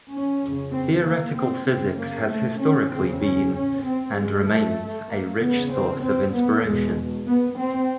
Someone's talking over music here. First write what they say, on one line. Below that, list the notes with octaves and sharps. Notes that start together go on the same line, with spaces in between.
Theoretical physics has historically been, and remains, a rich source of inspiration.
C#4
F2 C#3
C4
A#3
C4
F#2 C#3 C4
A#3
A3
C#4
E2 C#3 C4
C#4
C#4
C4
G2 G#3
A3
A#3
E2 C#3 B3
C4
C4
B3
E2 B2 G#3
B3
C4